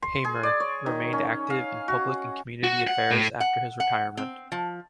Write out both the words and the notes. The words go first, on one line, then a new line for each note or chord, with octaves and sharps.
Hamer remained active in public and community affairs after his retirement.
C6
G#4
D5
C#5
D#3
C#4
F5
F#4
F#4
F#5
A2
F#5
F#5
C4
F3